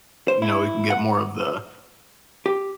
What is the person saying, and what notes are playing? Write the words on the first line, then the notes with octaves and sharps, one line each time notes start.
you know, we can get more of the
C5
E4
F#5
G4